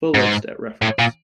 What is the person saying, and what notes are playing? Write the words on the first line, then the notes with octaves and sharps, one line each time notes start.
Full list at reference.
G#2
A2
A#2